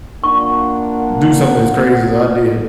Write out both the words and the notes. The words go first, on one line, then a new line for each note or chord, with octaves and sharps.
do something as crazy as I did,
A#3 D4 F4 F#5 C#6